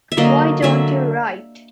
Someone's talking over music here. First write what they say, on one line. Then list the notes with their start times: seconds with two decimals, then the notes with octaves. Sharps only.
Why don't you write?
0.12 E5
0.17 D3 F#3 A#3 D#5
0.62 D3 F#3 A#3 E5